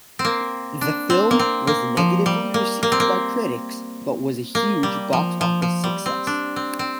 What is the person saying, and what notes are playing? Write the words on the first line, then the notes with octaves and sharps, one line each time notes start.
The film was negatively received by critics but was a huge box office success.
C4
A#3
D4
C4
A#3
C4
A#3
F3
G3
A#3
A#3
C4
A#3
A#3
G3
F3
F3
F3
G3
C4
D4
C4
C4